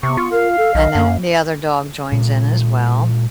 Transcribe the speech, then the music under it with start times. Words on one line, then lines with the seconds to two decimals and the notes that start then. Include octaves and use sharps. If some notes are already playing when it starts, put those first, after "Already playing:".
and then the other dog joins in as well.
0.03 C3 B3 C#6
0.17 F4
0.32 A#4 F5
0.57 A4
0.75 B1 D#5
0.95 F#2 A#3
2.12 A#2 G#3